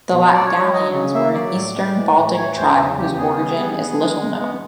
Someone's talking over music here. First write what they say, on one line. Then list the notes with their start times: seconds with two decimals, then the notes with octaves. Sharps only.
The Latgalians were an Eastern Baltic tribe whose origin is little known.
0.12 B2
0.33 F#3 D5
0.46 C#5
0.53 F#3
0.73 F#3 D#5
0.94 C#3
1.14 A#3 E5
1.34 F#3 D5
1.55 A2
1.75 G#3
1.96 E3
2.16 A2
2.37 E3 C#5
2.57 E2 C5
2.77 C#3 G#4
2.98 C#3 G4
3.12 G4
3.18 B3 G#4
3.38 G3
3.59 B3
3.79 B3
3.99 G#3
4.19 G#3
4.40 B3